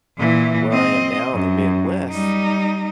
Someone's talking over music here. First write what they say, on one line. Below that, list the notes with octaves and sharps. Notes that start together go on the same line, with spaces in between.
where I am now in the Midwest,
A#2 E3
C4 D#5
F#2
G3 D#4